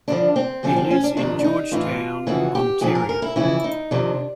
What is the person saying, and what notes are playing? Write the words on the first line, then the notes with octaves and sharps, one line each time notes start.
He lives in Georgetown, Ontario.
G2 D3 F3 D4
C4
F#2 D3 F3 C#4
C4
C#4
D4
F2 C3 D#3 D4
D4
D#4
A2 E3 F4
F2 C#3 E3 F#4
G4
A#2 F3 G#4
A#4
A#4
E4
F2 C#3 E3 E4
D#4
F2 C3 D#3 D4